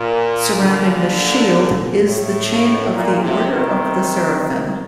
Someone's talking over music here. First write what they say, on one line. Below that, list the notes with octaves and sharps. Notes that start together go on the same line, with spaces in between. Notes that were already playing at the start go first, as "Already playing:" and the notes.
Surrounding the shield is the chain of the Order of the Seraphim.
Already playing: A#2
A#2 D3
A#2
A2
A#2
A2 C3
C3 D#3